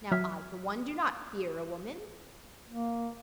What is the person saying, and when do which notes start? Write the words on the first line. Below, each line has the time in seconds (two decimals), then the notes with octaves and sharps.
Now I, for one, do not fear a woman.
0.12 F#3 E5 F6 G#6 B6
2.69 A#3